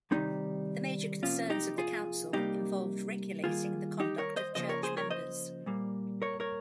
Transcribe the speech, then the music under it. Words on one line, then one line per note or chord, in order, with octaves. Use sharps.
The major concerns of the Council involved regulating the conduct of church members.
C3 D#3 G3 A#3 C4 D#4
C3 F3 A#3 C#4 F4
D#4 G4
F4 G#4
C3 G3 A#3 D#4 G4
D#3 G3 A#3 F4 G#4
D#4 G4
A#4 C#5
C5 D#5
C#3 F3 A#3 C5 D#5
A#4 C#5
G#4 C5
A#4 C#5
C5 D#5
A#2 G3 A#3
A#4 C#5
A#4 C#5